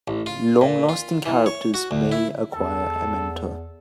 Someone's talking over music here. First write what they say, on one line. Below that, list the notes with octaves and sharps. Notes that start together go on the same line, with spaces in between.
Long-lasting characters may acquire a mentor.
A1
F4
A#2
F4
E3
C#5
F#4
D2
E4
E2 A4